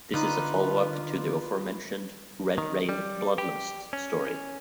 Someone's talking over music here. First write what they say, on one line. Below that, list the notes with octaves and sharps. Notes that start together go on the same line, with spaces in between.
This is a follow-up to the aforementioned "Red Rain: Blood Lust" story.
D3 D#4 F4 B4
D#3
G3
G4
C#4